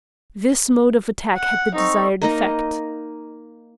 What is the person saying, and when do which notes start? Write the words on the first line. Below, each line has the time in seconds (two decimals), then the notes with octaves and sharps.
This mode of attack had the desired effect.
1.38 F#5
1.75 C4 D#4 A4 C#6
2.22 A#3 D#4 D#5